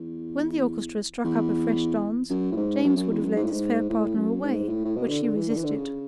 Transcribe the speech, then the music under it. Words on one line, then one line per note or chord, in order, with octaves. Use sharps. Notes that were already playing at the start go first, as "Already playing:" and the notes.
When the orchestra struck up a fresh dance, James would have led his fair partner away, but she resisted.
Already playing: E2
E2
F#2
A2
G#2
F#2
F#2
E2
F#2
G#2
A2
G#2
A2
F#2
G#2
A2
A2
B2
D3
D3
E3
D3
E3
D3
C#3